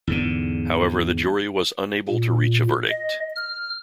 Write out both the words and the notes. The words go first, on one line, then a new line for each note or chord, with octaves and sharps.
However, the jury was unable to reach a verdict.
E2 G#2 D3
A#2
D#5
F6